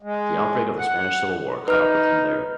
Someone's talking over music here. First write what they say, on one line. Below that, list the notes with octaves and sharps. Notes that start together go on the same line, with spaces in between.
The outbreak of the Spanish Civil War caught up with him there.
G#3
F#5
D#4 B4 F6